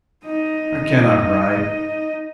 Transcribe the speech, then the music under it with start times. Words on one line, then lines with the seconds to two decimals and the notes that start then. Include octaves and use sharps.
I cannot write.
0.25 D#4 D#5